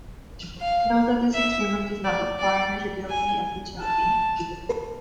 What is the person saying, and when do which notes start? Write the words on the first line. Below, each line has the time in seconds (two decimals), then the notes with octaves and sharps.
Note that this experiment does not require measurability of utility.
0.61 F5
1.33 E5
2.04 D5
2.39 D5
3.10 G#5
3.81 A5